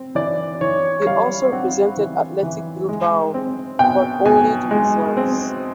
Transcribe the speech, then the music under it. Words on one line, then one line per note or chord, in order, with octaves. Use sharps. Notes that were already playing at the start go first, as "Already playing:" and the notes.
He also represented Athletic Bilbao, but only the reserves.
Already playing: C4
E3 D5
E3 C#5
G3 F5
C4 F#5
E3
E3
G#3
C4
B2 G5
B2 G#5
G#3
C4